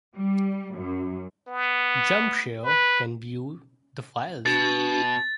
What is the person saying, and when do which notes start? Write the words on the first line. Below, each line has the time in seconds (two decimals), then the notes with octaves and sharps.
Jumpshare can view the files.
0.16 G3
0.76 F#2
1.48 B3
2.64 B4
4.46 B2 D4 F#4 A6